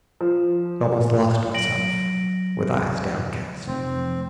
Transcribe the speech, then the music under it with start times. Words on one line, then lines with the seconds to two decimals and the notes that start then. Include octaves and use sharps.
And almost lost myself with eyes downcast.
0.21 F3
1.54 F#3 A#6 D7 F#7
3.67 F1 C4